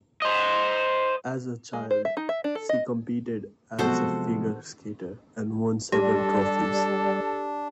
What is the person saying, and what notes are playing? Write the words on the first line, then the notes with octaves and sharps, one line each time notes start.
As a child, she competed as a figure skater and won several trophies.
C5 D#5
G#3
C5
E5
D#4
E5
D4
A4
D#5
C3 F3 F#3 G#3 B3 F#4 A4 C5
G3 D4 G4 A4